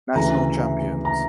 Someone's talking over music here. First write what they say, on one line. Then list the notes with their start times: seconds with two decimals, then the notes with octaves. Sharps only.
National Champions.
0.15 D2 C#3 E3 A#5
1.05 A#5